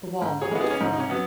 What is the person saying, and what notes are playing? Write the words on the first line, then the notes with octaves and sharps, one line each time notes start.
The wall held firm.
G#2
G#4 C#5
G#3 B3
D#4 G#4
C#4
G#2 D#4
D#4
C#4
F#3 B3